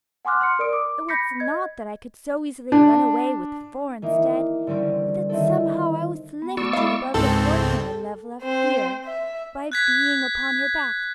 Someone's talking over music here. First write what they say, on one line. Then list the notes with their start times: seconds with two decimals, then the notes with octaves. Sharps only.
It was not that I could so easily run away with four instead, but that somehow I was lifted above the ordinary level of fear by being upon her back.
0.25 F#5 G#5 C6 D6 F6 F#6
0.41 C6 F6 C#7
0.59 A#4 D5 D#6 D7
0.73 D6
1.09 B5 G6 A#6 B6 C#7
1.40 D#5 G#6
2.72 D4
4.02 E3 A#3 D#4
4.67 D3 G3 C4 C#4 G4
5.29 D#3 C4 E4 A4
6.42 B3
6.57 A3 F#4 D5 C#6 E6
6.73 G#3 E4 D#5 F5
7.14 C#2 G#2 C4 A4
8.43 C4 C5
9.05 E5
9.72 F#6 G#6 B6